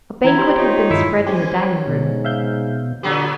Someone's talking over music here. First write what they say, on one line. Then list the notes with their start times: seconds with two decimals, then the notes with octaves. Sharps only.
A banquet had been spread in the dining-room.
0.24 E3 E4 A#5 G#6
0.38 G4 C5 C6
0.57 D#4 F4 C#5
0.91 G2 D#3 E4
1.27 C#4 G4 C5 G#5
1.87 G#2 B2
2.25 E5 F5 G6
3.03 A#2 D3 F#3 B3 G4